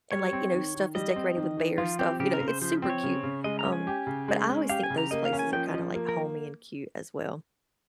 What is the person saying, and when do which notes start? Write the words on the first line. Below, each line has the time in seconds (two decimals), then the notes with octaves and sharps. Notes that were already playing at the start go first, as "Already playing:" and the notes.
and like, you know, stuff is decorated with bear stuff, you know, it's super cute, um, but I always think those places are kind of, like, homey and cute as well.
0.12 G3 C#5
0.33 C4
0.53 D#3
0.75 D#3
0.95 G3 D#5
1.16 C4
1.36 D#3
1.57 D#3
1.78 F3 F4
1.99 C4 G4
2.20 C#3 G4
2.34 A#4
2.40 C#3
2.48 C5
2.62 F3 C5
2.82 C4
2.90 C#5
3.03 C#3
3.23 C#3
3.44 G#3 D#5
3.59 A#5
3.65 C#4
3.73 G#5
3.87 G4
4.07 C#3
4.28 G#3
4.49 C#4
4.69 G4 F5
4.83 G#5
4.90 C#3
4.98 A#5
5.11 A#3 D#5
5.25 F5
5.33 C#4
5.39 G#5
5.53 F3 G5
5.67 D#5
5.74 F3
5.95 A#3
6.09 A#4